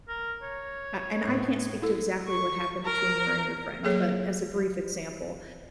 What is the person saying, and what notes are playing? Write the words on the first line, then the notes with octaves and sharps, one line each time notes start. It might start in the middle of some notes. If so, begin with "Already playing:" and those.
uh and I can't speak to exactly what happened between you and your friend, but, as a brief example,
A#4
C#5
A2 B3
E4 A4
C#6
A#4
F#3 A#3 G#4 A4 C#5